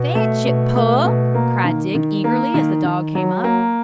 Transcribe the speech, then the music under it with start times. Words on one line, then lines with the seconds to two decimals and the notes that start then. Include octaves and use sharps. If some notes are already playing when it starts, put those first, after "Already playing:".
"Fetch it, pup," cried Dick eagerly as the dog came up.
Already playing: B2
0.15 A3
0.46 B2
0.76 A3
1.05 B2
1.34 A#3
1.65 D#3
1.95 D#3
2.24 A#3
2.54 D#3
2.84 D#3
3.15 F#3
3.44 A#3